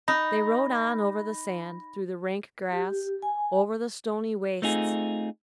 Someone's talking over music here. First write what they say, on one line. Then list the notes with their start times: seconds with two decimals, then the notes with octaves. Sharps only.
They rode on over the sand, through the rank grass, over the stony wastes.
0.08 D#4 B5 A#6
2.72 G4
3.22 G#5
4.62 A3 C4 D#4 F4 G#4